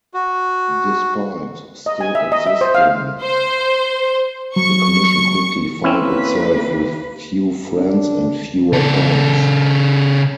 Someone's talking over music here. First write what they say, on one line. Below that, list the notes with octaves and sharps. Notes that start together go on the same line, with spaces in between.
Despite still existing, the Commission quickly found itself with few friends and fewer powers.
F#4
D#5
G#5
E5
D#5
E5
C5
F5
C5
F#3 C#6
A#3 C4 C#4 E4 B4
D4
C#3 A4